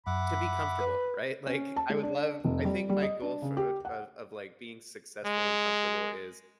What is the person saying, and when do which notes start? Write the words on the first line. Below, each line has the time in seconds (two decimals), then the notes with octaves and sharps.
to be comfortable, right? Like, I would love I think my goal for of of, like, being successful and comfortable is
0.07 F#2 E5 F#5 B5 D6
0.79 B4
1.47 C#4
1.76 A5
1.89 G#3
2.03 D4
2.44 F1
2.65 G3
2.89 G3
3.02 D#5
3.22 D4
3.42 C#3
3.57 G4
3.85 F#5
5.26 G#3